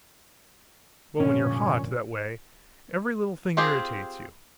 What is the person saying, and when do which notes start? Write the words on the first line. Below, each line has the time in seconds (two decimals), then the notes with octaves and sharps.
Well, when you are hot, that way, every little thing irritates you.
1.20 F1 G2 A#2 D3 C#4
3.57 C4 F4 G4 G#4